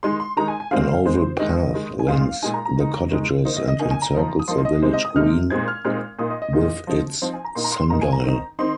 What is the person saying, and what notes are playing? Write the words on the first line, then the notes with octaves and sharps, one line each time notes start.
An oval path links the cottages and encircles the village green with its sundial.
D#3 G#3 D#4 C6
C6
D#3 G#3 D#4 A#5
G#5
G#5
D#3 G#3 C4 F5
D#3 G#3 C4 C5
D#3 G#3 D#4 D#5
D#3 G#3 D#4
G#5
A#2 G#3 D#4 F5
A#2 G#3 D#4 G#5
A#5
A#5
D#3 G#3 D#4
D#3 G#3 D#4
D#3 A#3 D#4 C5
D#5
D#5
D#3 A#3 D#4 G#5
G#5
A#5
F3 A#3 D#4
D#6
F3 A#3 D#4 C6
D#5
C3 G#3 D#4 C5
D#5
D#6
C3 G#3 D#4 F6
A#2 G#3 C4 D#4 G#6
F6
A#2 G#3 C4 D#4 F6
A#2 A#3 D#4 D#6
D#5
D#5
A#2 A#3 D#4
F3 C4 D#4
F3 C4 D#4
G#5
A#5
A#2 A#3 D#4 C6
A#5
C6
A#2 A#3 D#4 A#5
G#5
A#5
D#3 C4 D#4
D#3 C4 D#4 C6